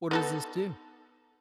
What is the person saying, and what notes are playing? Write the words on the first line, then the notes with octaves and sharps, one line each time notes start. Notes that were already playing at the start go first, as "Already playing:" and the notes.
What does this do?
B3 D#4 A4